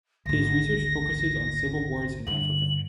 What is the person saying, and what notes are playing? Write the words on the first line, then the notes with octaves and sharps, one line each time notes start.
His research focuses on civil wars in Africa.
G#1 D2 A#6
G2 D3 F#7